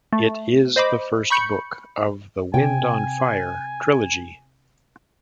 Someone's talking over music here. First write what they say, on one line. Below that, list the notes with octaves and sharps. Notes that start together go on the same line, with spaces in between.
It is the first book of the "Wind On Fire" Trilogy.
A3
C5 D#5 B5 D6
B5 C#6 G6 C#7
C3 G5 G#5